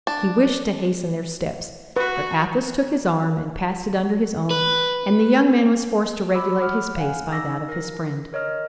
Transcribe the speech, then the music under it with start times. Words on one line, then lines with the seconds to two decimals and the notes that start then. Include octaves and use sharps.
He wished to hasten their steps; but Athos took his arm and passed it under his own, and the young man was forced to regulate his pace by that of his friend.
0.07 D4
1.97 F#4 B4
4.51 B4
6.34 B5 D6 E6
6.58 F#5 B5 D6 F6
6.97 F5 F#5 G#5
7.31 D#4 D6 E6 A#6
7.69 A#4 A#6
8.33 A#4 C#5 D#5 F6